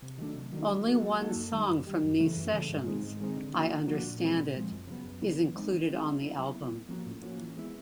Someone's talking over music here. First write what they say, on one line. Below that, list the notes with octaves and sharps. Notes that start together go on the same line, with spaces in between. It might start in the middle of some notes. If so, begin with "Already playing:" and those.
Only one song from these sessions, "I Understand It", is included on the album.
C3
D#3 F#3 A3 D4
C3
D#3 F#3 A3 D4
F#3
A#3 D#4 F#4 A4
F#3
A#3 D#4 F#4 A4
F#2
D#3 G3
F#2
D#3 G3
F#2
C#3 E3 A3
F#2
C#3 E3 A3
G#2
D#3 G#3 C4 D#4
G#2
D#3 G#3 C4 D#4
D3
F3 A#3 D4 F#4
D3
F3 A#3 D4 F#4
A#2
F3 G#3 C4
A#2
F3 G#3 C4
F#2
C#3 F#3 B3
F#2
C#3 F#3 B3
E3
G#3 C4 D#4
E3
G#3 C4 D#4
F#3
B3 E4
F#3
B3 E4
A2
F3 A#3 C#4 F#4
A2
F3 A#3 C#4 F#4
E3
G#3 B3 E4